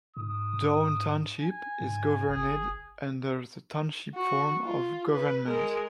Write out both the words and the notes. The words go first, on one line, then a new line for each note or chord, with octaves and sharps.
Downe Township is governed under the Township form of government.
G#2 D#6
G#5
G#2
G1 G#4
F#4
F4
B4
G#3 A#4